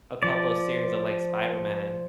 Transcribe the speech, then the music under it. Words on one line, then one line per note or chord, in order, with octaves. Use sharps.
a couple series of like Spider-Man.
F3 D5